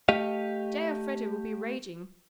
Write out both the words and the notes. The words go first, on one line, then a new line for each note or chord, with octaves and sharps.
J. Elfreda will be raging.
A3 G4 D#5 F5